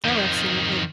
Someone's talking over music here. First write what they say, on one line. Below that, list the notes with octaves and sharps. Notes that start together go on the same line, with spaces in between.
Oh, absolutely.
F2 D#3